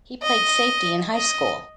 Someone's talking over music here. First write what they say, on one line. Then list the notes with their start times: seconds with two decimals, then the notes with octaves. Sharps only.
He played safety in high school.
0.23 D#5
1.15 D#5